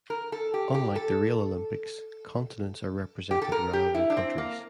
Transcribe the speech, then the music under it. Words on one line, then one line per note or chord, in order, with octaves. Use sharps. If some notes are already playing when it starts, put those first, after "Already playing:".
Unlike the real Olympics, continents are represented rather than countries.
A#4
A4
G4
G4
A4
G4
A4
A#4
G4
E4
D4
C4
A#3